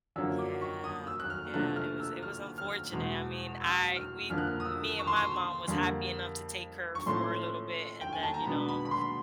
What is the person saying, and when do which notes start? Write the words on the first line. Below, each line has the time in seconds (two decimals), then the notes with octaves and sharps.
Yeah, yeah, it was it was unfortunate, I mean, I we me and my mom was happy enough to take her for a little bit and then, you know,
0.16 F#2 D3 F3 A#3 C#4 E6
0.38 D6
0.62 C#6
0.84 D#6
1.07 E6
1.20 F#6
1.30 F6
1.54 C3 F3 A3 D4 F#6
1.76 F6
2.00 E6
2.23 F6
2.58 F6
2.92 E2 B2 G#3
3.61 E6
3.96 F6
4.30 F2 D3 F3 A#3 D4 F6
4.38 F#6
4.47 F6
4.60 D#6
4.65 E6
4.99 C#6
5.07 C6
5.16 C#6
5.68 F2 D3 G3 A#3
6.95 C#6
7.06 A2 F3 A3 C#4 C6
8.01 G5
8.13 G#5
8.23 A5
8.34 A#5
8.44 B2 G#3 B3 D4 B5
8.68 B5
8.85 B5
8.91 C6